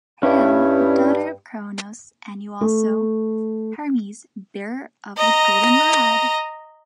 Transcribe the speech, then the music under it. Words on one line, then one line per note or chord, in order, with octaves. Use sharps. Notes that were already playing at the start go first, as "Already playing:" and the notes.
Hail, Daughter of Cronos, and you also, Hermes, bearer of the golden rod!
G2 C#4 E4
A3
D#5 A#5